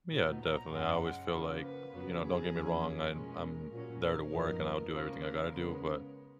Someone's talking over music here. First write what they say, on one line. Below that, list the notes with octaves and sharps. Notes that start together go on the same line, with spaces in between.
Yeah. Definitely. I always feel like you know, don't get me wrong. I'm I'm there to work, and I'll do everything I gotta do. But
A#2 F#3 B3 D#4
A#5
F#2 C#3 G#3 F#5
C#3 F3 A#3
B4
F2 C#3 F#3 B3
G#4
F2 F3 A#3 C#4
B2 G#3 C#4 A#4
A#2 F#3 C#4
A#4
F#2 F3 B3 D#4
C#3 F3 A#3 C#4
A#4
C#3 G#3 B3 A#4